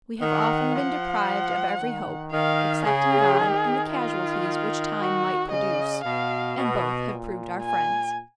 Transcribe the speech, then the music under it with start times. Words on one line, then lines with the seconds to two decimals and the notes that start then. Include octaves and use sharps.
We have often been deprived of every hope, except in God and the casualties which time might produce, and both have proved our friends.
0.21 D#3 F#5
0.74 F3 F#5
1.80 D#3
2.33 D#3 F5
2.86 C#3 G#4
3.39 D#3
3.92 F4
4.99 F#4
5.51 C#3 D#5
6.04 B2 F5
6.58 B2
7.11 A#2
7.63 G#5